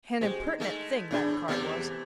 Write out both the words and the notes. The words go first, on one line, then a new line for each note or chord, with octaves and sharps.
An impertinent thing, that card was.
G#3 F#4 G4 C5
D#4
G#3 A3
A2 E3 D4 G#4
E2 C3 E3 A3